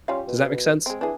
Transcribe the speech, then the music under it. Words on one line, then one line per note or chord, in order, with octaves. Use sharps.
Does that make sense?
G3 C#4 F4 F5
B2
G#3 C4
E3 D4 G#4